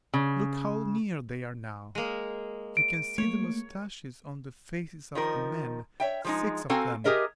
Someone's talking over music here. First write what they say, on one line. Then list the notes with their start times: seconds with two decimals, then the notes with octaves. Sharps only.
Look how near they are now!-- You can see the mustaches on the faces of the men--six of them.
0.14 C#3
1.95 G#3 A#3
2.77 D7
3.18 A3 A#3 C#5
5.15 D#3 F3 A#4
6.00 C#5 E5 G5
6.24 F3 G#3 D#4
6.69 C4 F#4 A4 F5 G#5 A#5
7.04 G4 G#4 A#4 D#5 E5